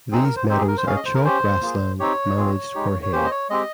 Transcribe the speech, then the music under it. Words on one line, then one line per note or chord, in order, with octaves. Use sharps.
These meadows are chalk grassland managed for hay.
C4 D#4 G#4
A#4
C5
C4 D#4 G4 C5
G#4
A#4
C5
C#4 G#4 F5
D#5
C5
A#4
C#4 G4 C5
A#3 F4 G#4
C4 D#4 G4 C#5
C4 F4 G#4
G#3 D#4 G4
C#5
A#3 C#4 G4 C5
D#5
C#5
G#3 C4 G4 D#5